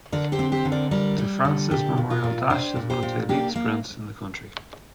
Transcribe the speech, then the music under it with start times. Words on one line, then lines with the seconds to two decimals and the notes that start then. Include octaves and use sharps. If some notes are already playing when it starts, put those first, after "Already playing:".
De Francis Memorial Dash is one of the elite sprints in the country.
0.12 D3 A#4 D5
0.32 G4 C5
0.39 C4
0.52 G4 C5
0.65 D3
0.72 A#4 D5
0.91 G3 A#4 D5
1.18 G3
1.45 D3
1.71 A#2 D4 G4
1.97 A#2
2.10 F4 A#4
2.24 A#2
2.50 D4 G4 C5
2.76 A#2
2.90 G4 C5
3.03 A#2
3.29 A#3 D4 G4
3.56 A#3